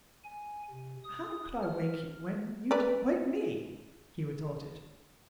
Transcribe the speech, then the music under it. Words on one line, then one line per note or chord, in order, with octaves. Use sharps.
"How could I wake you, when you didn't wake me?" he retorted.
G#5
C3
D#6
F6
B4 D5